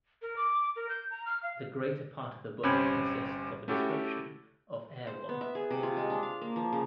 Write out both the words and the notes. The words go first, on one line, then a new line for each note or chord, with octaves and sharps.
The greater part of the book consists of a description of Erewhon.
A#4
D6
A#4
G6
A#5
F6
F5
G1 C3 C#4 C5 B5 G#6
A3 C#4 E4 F#4 G4 A4
C5
B3
E5
G#4
C3
F4
G#3
D4
F5
A#3
F3
C#3